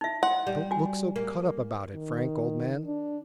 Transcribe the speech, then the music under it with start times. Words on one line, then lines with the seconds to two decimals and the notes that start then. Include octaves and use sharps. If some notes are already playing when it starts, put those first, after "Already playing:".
Don't look so cut up about it, Frank, old man.
0.01 D#4 E5
0.23 F#5 C6
0.47 G3
0.71 F#4 G#5
1.16 A#3
1.94 D#3
2.85 D4